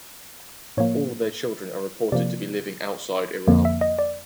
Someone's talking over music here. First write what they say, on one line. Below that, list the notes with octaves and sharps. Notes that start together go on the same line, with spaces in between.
All their children are reported to be living outside Iran.
A2 F3 A#3 C#5
C3 F3 A#3 D5
F2 D3 F3 A#3
E5
D#5
D5